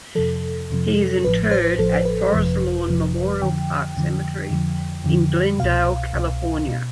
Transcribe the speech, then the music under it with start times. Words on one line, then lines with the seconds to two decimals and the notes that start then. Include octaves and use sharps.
He is interred at Forest Lawn Memorial Park Cemetery in Glendale, California.
0.15 F2 C3 F3 A4
0.71 F2 C3 F3
1.24 A1 A2 F3 B4
1.51 C5
1.78 A1 A2 F3 A4
2.05 B4
2.33 G1 F2 C3 F3
2.87 G1 F2 C3 F3
3.42 F2 D3 F3 G5
3.96 F2 D3 F3
4.51 F2 D3 F3
5.04 F2 D3 F3
5.59 C2 B2 F5
6.13 C2 B2
6.68 B2